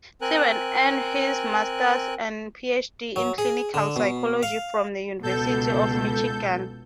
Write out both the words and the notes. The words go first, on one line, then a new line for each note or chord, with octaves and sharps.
Siebert earned his master's and PhD in clinical psychology from the University of Michigan.
C4 A#4 G#5 F#6
F#3
G#4
D3
B2
F5
C#2 B2 A4 G6